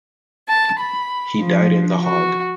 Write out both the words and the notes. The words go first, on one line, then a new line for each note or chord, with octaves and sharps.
He died in The Hague.
A5
B5
F3
F#4